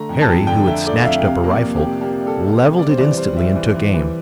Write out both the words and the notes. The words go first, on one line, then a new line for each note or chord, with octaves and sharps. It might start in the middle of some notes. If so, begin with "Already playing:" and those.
Harry, who had snatched up a rifle, levelled it instantly and took aim.
Already playing: D3 A3 A#5
F2
A5
F2
D3 G5
D3 E5
A3 D5
F5
F2 E5
C3 F5
A#3
D5
A#3
G4
C3
A#3 G4
G3
A4
C3
C3
G3 D5
C5
E3 D5
G3 C5
G3 E5
E3
E3
E3